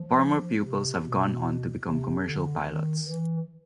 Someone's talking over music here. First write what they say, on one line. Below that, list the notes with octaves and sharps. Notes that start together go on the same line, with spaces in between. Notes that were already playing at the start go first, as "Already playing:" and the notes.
Former pupils have gone on to become commercial pilots.
Already playing: F3
C3
B2
C3
D3
D#3
E3